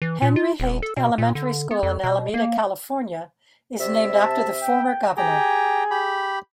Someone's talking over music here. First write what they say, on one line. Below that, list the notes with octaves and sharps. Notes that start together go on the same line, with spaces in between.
Henry Haight Elementary School in Alameda, California is named after the former governor.
E3
A#2
F4
D#1
A4
B2
A#2
D3
B3
F2
B2
A#3
C3 D5 E5
A5
G5
G4 G#4 G5 G#5 A#5
G4 B5